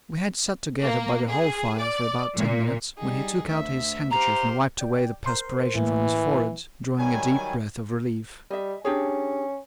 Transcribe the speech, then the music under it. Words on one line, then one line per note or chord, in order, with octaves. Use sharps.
We had sat together by the hall fire for about ten minutes, when he took out his handkerchief, and wiped away the perspiration from his forehead, drawing a deep breath of relief.
A#3
G#4
D5
A#2
G3 D#4 G#4
D2 E5
G4 C5 F5 A#5
D5 G5
A#4 C5 C6
A2 E3 A#3
D#3 F#3 G3 G#5
G3 D#5 E5
C#4 D4 G4 G#4